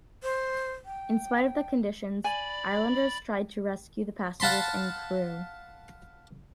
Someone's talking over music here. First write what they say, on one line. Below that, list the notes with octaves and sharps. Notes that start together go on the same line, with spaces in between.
In spite of the conditions, islanders tried to rescue the passengers and crew.
C5
G5
D5 G#5 B5
F5 F#5 A5 B5 C6